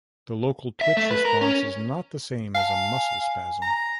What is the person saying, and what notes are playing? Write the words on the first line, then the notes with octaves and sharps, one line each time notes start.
The local twitch response is not the same as a muscle spasm.
E5
A3
B4
A#4
C#4
F5 G#5 A5
G#5
A#5